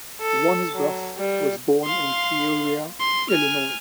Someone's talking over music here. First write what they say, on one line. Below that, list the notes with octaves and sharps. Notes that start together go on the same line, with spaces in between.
Wansbrough was born in Peoria, Illinois.
A4
F#3
G3
F5 C6
C6
G#5 F6